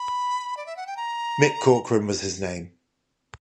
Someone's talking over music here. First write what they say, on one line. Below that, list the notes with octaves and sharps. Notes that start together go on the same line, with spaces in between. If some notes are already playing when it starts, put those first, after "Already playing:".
Mick Corcoran was his name.
Already playing: B5
D5
E5
F#5
G5
A#5